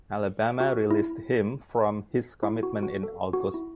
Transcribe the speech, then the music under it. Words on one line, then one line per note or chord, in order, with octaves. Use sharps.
Alabama released him from his commitment in August.
F#4
E4
E4
F#4
F#4
A4
F#4
E4